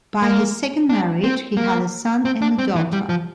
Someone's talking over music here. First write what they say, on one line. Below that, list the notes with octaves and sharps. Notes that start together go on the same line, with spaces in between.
By his second marriage he had a son and a daughter.
A#3
D4
C4
A#3
C4
D4
C4
E3
G3
F3